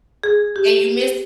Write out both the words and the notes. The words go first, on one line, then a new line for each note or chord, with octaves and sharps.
and you miss
G#4
G4